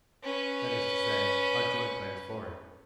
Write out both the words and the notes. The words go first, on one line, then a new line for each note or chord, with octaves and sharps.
'That is to say, our joint plans for him.
C#4 B4